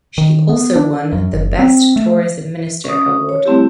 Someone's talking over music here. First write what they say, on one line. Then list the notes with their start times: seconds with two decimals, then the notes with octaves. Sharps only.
She also won the "Best Tourism Minister" award.
0.18 D#3
0.49 B3
0.76 D4
1.12 F#2
1.33 F#1
1.59 C4
1.96 A3
2.84 C#4 D#6
3.29 C#5
3.46 G3 A3 C4 E4 G4